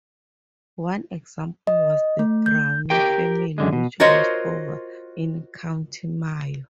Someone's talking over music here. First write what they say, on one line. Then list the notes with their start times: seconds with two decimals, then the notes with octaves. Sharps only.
One example was the Browne family which lost over in County Mayo.
1.67 D#5
2.19 A3
2.46 G6
2.90 G4 A#4 G5
3.58 F#2 D3 G#3
3.73 B2
4.00 F4 F#4 A#4 C5 C#5 D#5